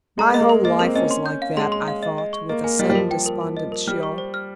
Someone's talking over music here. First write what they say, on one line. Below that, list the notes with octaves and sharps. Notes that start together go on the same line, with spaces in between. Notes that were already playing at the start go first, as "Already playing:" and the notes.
My whole life was like that, I thought, with a sudden despondent chill.
G#3 A#5
A#3
D#5
G#3
A#4
A#3 D#5
C4 A#4
C#4 D#5
C6
G6
F5
G#3 C6
C6
F5
D#5
D#5
C#6
A#3 D#5
A#3 G#5
G3 D#5
G3
F3 A#4
G5
A#4
A#4
D#5
A#4
G3 F6
C#6
C5
F6